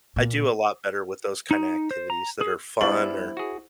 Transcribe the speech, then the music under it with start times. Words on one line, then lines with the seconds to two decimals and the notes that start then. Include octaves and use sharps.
I do a lot better with those kinda activities that are fun, or
0.16 A#2
1.51 D#4
1.91 C5
2.10 A#5
2.41 G#4
2.81 G3 B3 D4 E4 C5 F#7
3.37 F#4 G#4